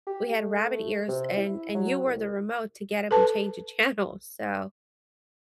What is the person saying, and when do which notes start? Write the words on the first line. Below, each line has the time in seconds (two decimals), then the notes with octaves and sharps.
we had rabbit ears and and you were the remote to get up and change the channel, so
0.07 G4
0.33 A3
1.09 C3
1.37 E4
1.75 F#3
2.05 C2
3.11 A4 B4 A5